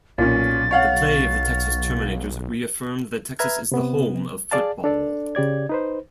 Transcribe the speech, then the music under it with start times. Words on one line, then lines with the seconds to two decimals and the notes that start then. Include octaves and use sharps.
The play of the Texas Terminators reaffirmed that Texas is the home of football.
0.18 B1 A#2 C#4 A6
0.71 C#5 F5 F#5
3.39 B4 E5 A#5 F6 G#6
3.72 C3 B3
4.51 G#4 D5 F5 A5
4.84 D4 A4 D5
5.35 C#3 G4 D5 G#6
5.69 D#4 B4 C5